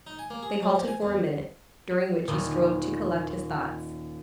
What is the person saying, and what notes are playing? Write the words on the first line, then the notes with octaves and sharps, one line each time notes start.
They halted for a minute, during which he strove to collect his thoughts.
D#4
G#5
A#3
G#4
F#3
F3
G#5
E2
D#1 D#3